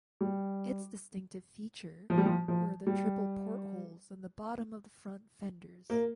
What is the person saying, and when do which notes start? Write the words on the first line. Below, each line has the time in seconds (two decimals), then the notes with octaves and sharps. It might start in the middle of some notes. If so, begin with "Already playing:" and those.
Its distinctive feature were the triple portholes on the bottom of the front fenders.
0.21 G3
2.10 F3
2.18 G3
2.26 F3
2.48 F3
2.87 G3
5.90 A#3